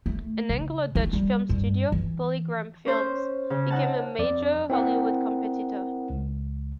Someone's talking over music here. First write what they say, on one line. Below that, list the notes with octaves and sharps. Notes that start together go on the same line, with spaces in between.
An Anglo-Dutch film studio, PolyGram Films became a major Hollywood competitor.
A3
C#3
D#3
G3
G2
E3
C#4 C5
C#3
D#4 F#5 A5
F2 D5
C4 E4 A#4 F#5
C#2